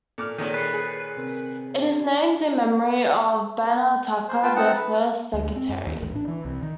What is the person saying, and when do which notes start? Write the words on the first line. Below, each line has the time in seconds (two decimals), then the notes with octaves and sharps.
It is named in memory of Bernard Tucker, their first Secretary.
0.18 A#2 A4 D6 F6
0.38 A#2 D#3 F#3 G#3 C#5 D#7
0.54 G#3 B4 A6 C7 C#7
0.74 G#4
1.17 C3 C4 A#4
4.29 C5
4.43 F4 B4 G5 A5
4.56 C4 D#4 F#5 A5
4.76 B4
5.34 D2
5.56 C4
5.69 F#2
5.87 D#2
6.01 A1
6.15 D4
6.28 E3
6.45 C2
6.63 D#3